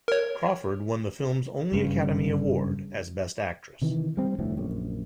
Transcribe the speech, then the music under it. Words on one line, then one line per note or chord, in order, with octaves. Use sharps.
Crawford won the film's only Academy Award, as Best Actress.
A#4 C#5
F#1 G2 C#3
C3 D#3 E3
G3 C4
F1 D2 A2
A#1 F#2